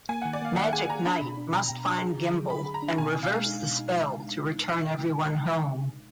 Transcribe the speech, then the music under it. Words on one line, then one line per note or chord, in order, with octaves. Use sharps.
Magic Knight must find Gimbal and reverse the spell to return everyone home.
A#3 G#5
D#3 F#5
D5
A#3 F5
D#3 F#5
G#4 G#5
G#4 A#5
D4 B5
B2
D4
B2 A#5
B2
D4
G#4
D3
F#3
D3 B5
G#4
A#5
D4
B2 G#5
B2
F5
G#3
D#4
B2
D#4